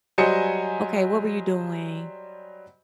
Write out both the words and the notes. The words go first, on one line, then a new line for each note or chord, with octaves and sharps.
"Okay. What were you doing?
F#3 G3 C5 D#5 G#5 C#7